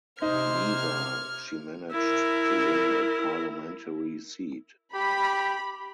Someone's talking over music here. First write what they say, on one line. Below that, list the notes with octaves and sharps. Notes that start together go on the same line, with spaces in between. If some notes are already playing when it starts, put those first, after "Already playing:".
Neither she managed to win a parliamentary seat.
C3 D#4 C5 F6 G#6
E4 A#4
G4 B5